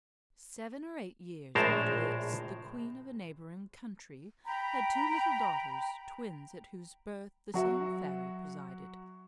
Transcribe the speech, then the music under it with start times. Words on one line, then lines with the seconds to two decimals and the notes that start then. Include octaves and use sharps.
Seven or eight years after this, the queen of a neighbouring country had two little daughters, twins, at whose birth the same fairy presided.
1.55 A#1 A2 G#3 A#4 C5 A5
4.45 G5 A#5 B5
7.54 F#3 F#4 E5